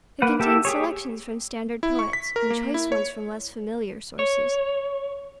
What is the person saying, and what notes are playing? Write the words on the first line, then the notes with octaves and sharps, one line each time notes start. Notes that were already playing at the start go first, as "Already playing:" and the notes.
It contained selections from standard poets, and choice ones from less familiar sources.
A#3 B4 F#5
A#3 G4 A4 E5
G4 G#4 C#5
E4
C#6
B6
A#4
A#3
E4
C#5
C#5